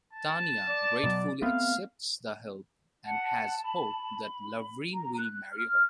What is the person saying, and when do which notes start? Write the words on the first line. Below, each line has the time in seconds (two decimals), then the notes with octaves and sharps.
Tania gratefully accepts the help and has hope that Lavrin will marry her.
0.13 A5
0.69 D5
1.04 B2 F#3
1.42 A3 B3 C4 F5
3.06 F#5 A5
3.64 B5
4.94 A#5
5.19 F#6
5.51 F6